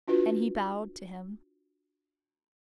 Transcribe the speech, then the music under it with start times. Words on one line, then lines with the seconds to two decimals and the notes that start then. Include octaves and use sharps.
And he bowed to him.
0.08 D4 F4 F#4 B4